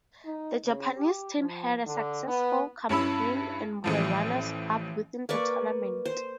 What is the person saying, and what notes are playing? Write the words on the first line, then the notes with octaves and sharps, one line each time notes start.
The Japanese teamhad a successful campaign and were runners-up within the tournament.
D#4
C#3
G4
F3
D3
B3
G2 C#4 E4 B5 E6
A1 A2 F3
A#3 B4 D5 C#6
C5